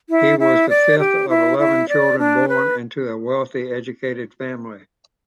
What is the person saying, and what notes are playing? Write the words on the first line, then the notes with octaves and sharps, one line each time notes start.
He was the fifth of eleven children born into a wealthy, educated family.
E4
E4
D5
G4
E4
E4
D5
D4
B4